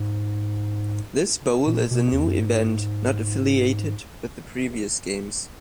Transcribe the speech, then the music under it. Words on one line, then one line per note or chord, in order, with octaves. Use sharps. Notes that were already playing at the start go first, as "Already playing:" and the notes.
This bowl is a new event not affiliated with the previous games.
Already playing: G#2
A#2
B2
E2
F#2
G#2